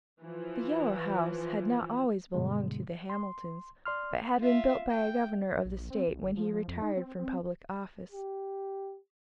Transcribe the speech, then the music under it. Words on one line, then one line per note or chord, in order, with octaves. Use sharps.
The Yellow House had not always belonged to the Hamiltons, but had been built by a governor of the state when he retired from public office.
E3 F3
G2 B2 D3 G#3
C6
D5 C6 F6
F4 E5
G5
A#1
C4
C2
G1
F3
F2
D#4
C4
C4
G4